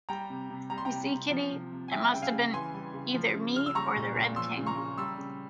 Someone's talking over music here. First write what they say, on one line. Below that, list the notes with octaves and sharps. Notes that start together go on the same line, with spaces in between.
You see, Kitty, it must have been either me or the Red King.
G3 G5 A#5
C3
C3
G3 A#5
C6
G5 A#5
C3
C3
F3
C3
C3
G#5
G3 E5 G5
C#3 G5
F5 G#5
C#3
E3 G#5 C6
G3
C#3
F3
C#3
C#3 F6
E6
G3 A#5 C#6
A#2
A#2
F3 C6 E6
C#3
A#5 C#6
C#3
G3 C6 E6
C#3